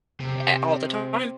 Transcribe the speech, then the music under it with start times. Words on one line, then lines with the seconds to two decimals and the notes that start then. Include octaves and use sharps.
Eh, all the time.
0.20 C3